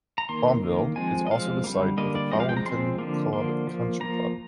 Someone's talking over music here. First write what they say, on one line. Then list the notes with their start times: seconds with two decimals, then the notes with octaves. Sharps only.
Balmville is also the site of the Powelton Club Country Club.
0.18 A#5
0.29 D#3 A#3 C6
0.63 D#3 A#3
0.96 F3 G#3 C4 G#5
1.27 D#5
1.30 F3 G#3 C4 F5
1.64 D3 G3 A#3
1.97 D3 G3 A#3 D#5
2.15 D5
2.32 F3 G#3 C4 D#5
2.40 F5
2.49 G5
2.57 A#5
2.65 F3 G#3 C4 C6
2.98 D3 F3 A#3
3.33 D3 F3 A#3 C6
3.67 F3 A#3
4.00 F3 A#3 A#5